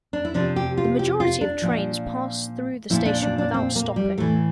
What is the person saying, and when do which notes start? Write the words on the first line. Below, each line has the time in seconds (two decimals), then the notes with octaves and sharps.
The majority of trains pass through the station without stopping.
0.13 D4
0.25 E4
0.34 C3 F3 D4
0.56 G4
0.77 F4
0.99 G4
1.20 F4
1.41 D4
1.62 A#2 F3
2.90 A#2 F3 E4
3.05 D4
3.22 D4
3.38 D4
3.54 C4
3.76 A#3
3.96 G3
4.18 A2 E3 A3